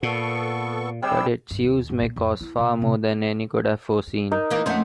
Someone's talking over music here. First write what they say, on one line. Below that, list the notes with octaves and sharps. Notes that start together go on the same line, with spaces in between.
But its use may cost far more than any could have foreseen.
A#2 B3 A4 C#6
C3 G3 G#4 G5 E6
G2
D#2
G1
A#2
F2
E4
A#2
C3
D#4 A#4 D#5
E3 A#3
F2 A3 C#4 C5 F#5